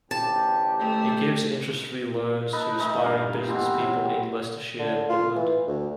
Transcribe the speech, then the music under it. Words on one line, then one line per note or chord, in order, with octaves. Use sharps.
It gives interest-free loans to aspiring businesspeople in Leicestershire and Rutland.
A1 D2 G4 A5
A3
D#4 A4 B4
E3 A3 D#4
G2 F5 A#5
B2 E3 C4
C3 F#3
D3
F4
E3
D2